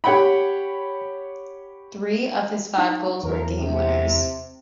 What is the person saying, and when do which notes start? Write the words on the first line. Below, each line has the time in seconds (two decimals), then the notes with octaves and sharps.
Three of his five goals were game-winners.
0.04 G4 C#5 F#5 G5 B5
2.78 D#4
3.23 E2 F3 A3 A#4
3.57 C3